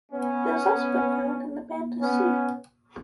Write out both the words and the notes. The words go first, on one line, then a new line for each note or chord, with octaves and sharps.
It has also been found in the Banda Sea.
B3 C#4
B3 C#4